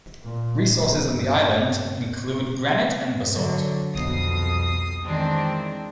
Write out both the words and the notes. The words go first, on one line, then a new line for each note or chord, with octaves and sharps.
Resources on the island include granite and basalt.
A#2
B1
G2
D3 F#3
C2 F2 B2 D#6 C7
D#3 E3 G#3 C4 D4